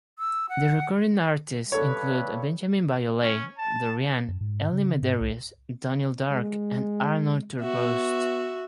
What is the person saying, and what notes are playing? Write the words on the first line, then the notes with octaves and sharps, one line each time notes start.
The recording artists include Benjamin Biolay, Doriand, Elli Medeiros, Daniel Darc, and Arnold Turboust.
E6
F#5
G2 A4 B4 C#5
C#4
A5
F#2
G#2
C#3
G#2
C2
G#3
B3 F#4 E5